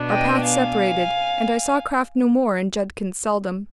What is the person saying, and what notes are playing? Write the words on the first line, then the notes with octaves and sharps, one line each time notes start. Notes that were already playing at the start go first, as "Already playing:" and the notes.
Our paths separated, and I saw Kraft no more and Judkins seldom.
Already playing: B2 B3 D4
D#5 G5
F5 G#5